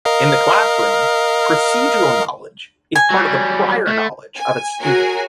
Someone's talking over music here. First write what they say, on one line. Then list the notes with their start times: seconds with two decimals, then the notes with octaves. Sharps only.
In the classroom, procedural knowledge is part of the prior knowledge of a student.
0.05 A#4 D#5 F5
2.96 G#5
3.10 F#3 G3
3.87 A3
4.37 G#5
4.81 F#4 G#4 A#4 C#5 G#5